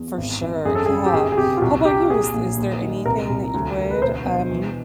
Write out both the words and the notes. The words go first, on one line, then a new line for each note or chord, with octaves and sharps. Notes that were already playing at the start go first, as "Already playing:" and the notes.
for sure, yeah, how about you? Is is there anything that you would, um,
Already playing: E2
G#1
G#1
F#2 G#4
A4
C#3 G#4
G4
G1 G#4
G#4
C3 G4
F4
C2 F#4
C3 G4
A#2 G#4
A#1
D#2
D#3
C2 A#4
C2
D2
D2
B4
E1 C5
B2
E3